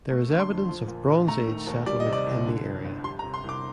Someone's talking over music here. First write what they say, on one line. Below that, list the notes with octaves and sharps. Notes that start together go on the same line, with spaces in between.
There is evidence of Bronze Age settlement in the area.
A3
D3
C6
F2
F3
A#2
A#1
A3 A#5
D#3
D#2
G3 D5
D#5
C3
D5
C2
D3
F2
G1
G3 C6
A#5
C3
C6
C2 D6